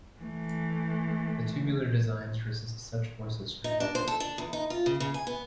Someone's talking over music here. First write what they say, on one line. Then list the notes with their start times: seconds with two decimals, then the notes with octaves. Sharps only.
The tubular designs resist such forces for tall buildings.
0.21 E3 A3
3.64 D#4
3.80 D4
3.95 C5
4.08 A4
4.20 D4
4.38 E2
4.53 D#4
4.70 F4
4.86 C#3
5.00 C#3
5.14 G#5
5.27 B3